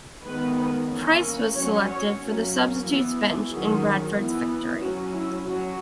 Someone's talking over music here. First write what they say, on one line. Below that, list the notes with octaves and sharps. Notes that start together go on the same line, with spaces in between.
Pryce was selected for the substitutes bench in Bradford's victory.
D#3 G#3 B3 B4
E3 A#3 C#4
F#3 C#4 C#5
C#5
F#3 A#3 C#4
E3 B3
D#3 F#3 C#4 G#4
E3 B3
F#3 C#4 F#4
E4
F#3 C#4 F#4